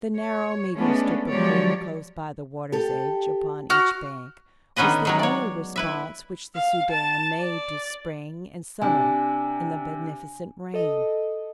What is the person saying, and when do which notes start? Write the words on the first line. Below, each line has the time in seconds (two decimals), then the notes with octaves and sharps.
The narrow meagre strip of green close by the water's edge upon each bank was the only response which the Soudan made to Spring and Summer and the beneficent rain.
0.15 C#5
0.75 G#3 A3 B3 C#4 D4
1.29 F3 F#3 G#3 G4 C#5 D5
2.72 G4 A4
3.70 F#4 F6
4.76 D3 D#3 B3 C#4 B4 D#5
5.05 D#3 F#3 G#3
5.19 C#5 D5
5.76 E4 B4 E5
6.55 F5
6.90 A5
7.41 D5
8.82 C3 D4 G#5
10.74 A4 D#5